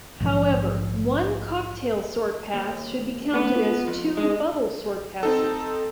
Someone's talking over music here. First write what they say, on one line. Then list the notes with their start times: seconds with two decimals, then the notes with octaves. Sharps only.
However one cocktail sort pass should be counted as two bubble sort passes.
0.20 A#1 G#2 B2 F3
2.54 D#2
3.34 A3 B3 B4
3.56 F4
3.87 F2
4.17 G#3 G#4 D#5
5.23 C4 D#4 A4